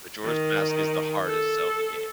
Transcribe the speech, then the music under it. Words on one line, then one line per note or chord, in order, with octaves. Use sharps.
Majora's Mask is the hardest Zelda game.
D#3
A4